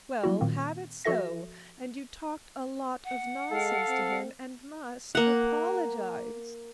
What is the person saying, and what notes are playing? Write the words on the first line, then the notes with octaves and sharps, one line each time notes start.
"Well, have it so, and you talked a lot of nonsense to him and must apologize."
F#3 G3 A#3 E4 F#4
A#2 D#3 A#3 C4
F3 F#4 A4 E5 A#6
F#5
G#3 A4 F5
C4
A#3 F#5